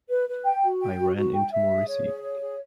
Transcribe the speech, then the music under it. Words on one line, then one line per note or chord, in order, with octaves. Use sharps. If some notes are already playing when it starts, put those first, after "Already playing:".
I ran into Morisi.
B4
B4
G5
F#4
G5
F#4
F#4
G5
E5
G#4
C#5
G#4
C#5
G#4